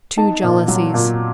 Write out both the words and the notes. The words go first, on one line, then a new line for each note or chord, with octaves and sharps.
Two Jealousies.
D#4 A5
A#2
F#3
A#2